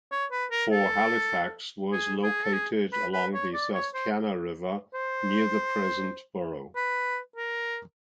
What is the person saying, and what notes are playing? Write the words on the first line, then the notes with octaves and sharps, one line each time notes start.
Fort Halifax was located along the Susquehanna River near the present borough.
C#5
B4
A#4
A4
G#4
G#4
A4
G#4
B4
B4
C#5
D5
C#5
C5
C5
B4
A#4